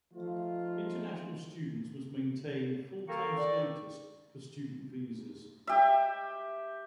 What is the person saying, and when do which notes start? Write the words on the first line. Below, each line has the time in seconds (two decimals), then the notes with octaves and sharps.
International students must maintain full-time status for student visas.
0.14 F3 A3 D#4 F4
3.08 A#3 A4 G5 C#6
3.37 D5
5.67 G4 E5